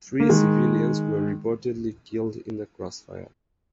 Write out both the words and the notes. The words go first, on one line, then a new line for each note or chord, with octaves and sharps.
Three civilians were reportedly killed in the crossfire.
A#3
D#3 G#3